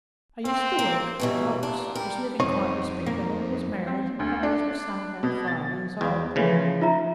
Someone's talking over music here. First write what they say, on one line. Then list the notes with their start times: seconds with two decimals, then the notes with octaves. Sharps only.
I used to work at the docks, was living quite respectable, was married and had a little son about five years old.
0.45 C4 F5
0.79 A#3
1.20 G2 B2 E3 F#3
1.63 A#2 D4
1.95 G3 A#4
2.40 C2 F2 C4 D#4 C#5
3.06 A#3
3.87 C4
4.19 D2
4.43 D4
5.23 B2
5.47 A6
6.01 E2 D5 F5 G5
6.36 C#3 E3 F3 A3 A#3 B4
6.81 D#4 F4 E5 A#5